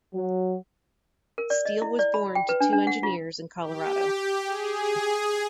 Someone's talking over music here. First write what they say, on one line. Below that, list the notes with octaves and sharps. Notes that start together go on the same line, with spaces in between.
Steele was born to two engineers in Colorado.
F#3
A#4
D5
D#5
E4
D5
B5
G5
B4
D4
D4
F#5
F4
G4
G#4